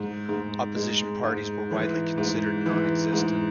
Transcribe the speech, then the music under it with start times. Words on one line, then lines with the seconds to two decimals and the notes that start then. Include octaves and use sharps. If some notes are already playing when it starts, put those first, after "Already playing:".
Opposition parties were widely considered nonexistent.
Already playing: G#2
0.29 G#2
0.76 G#3
1.23 G#2
1.71 E3
2.18 G#2
2.66 E3
3.13 G#2